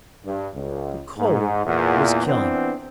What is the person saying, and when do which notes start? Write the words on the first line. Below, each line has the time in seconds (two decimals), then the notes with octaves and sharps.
The cold was killing.
0.25 G2
0.54 C#2
1.17 G#2
1.65 E2 A#2
2.26 E3 B3 C4 D4